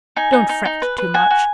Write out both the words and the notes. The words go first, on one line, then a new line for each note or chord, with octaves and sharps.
Don't fret too much.
D#4 G#5
D#4
D#4
D#4
B4
B4
F#4 G#5
F#4